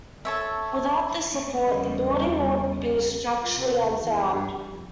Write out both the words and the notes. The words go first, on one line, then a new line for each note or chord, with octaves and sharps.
Without this support, the building would be structurally unsound.
A4 C#5 E5
E2 C#3 G3 C#4 A#4 D#5
F4
C3
D#2
E2
G2
G3
F2